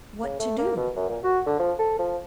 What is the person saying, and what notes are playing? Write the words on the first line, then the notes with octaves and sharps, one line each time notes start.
"What to do?"
C#3
A3
A#3
B2
F#2
A#2
F#4
D3
F3
A4
F3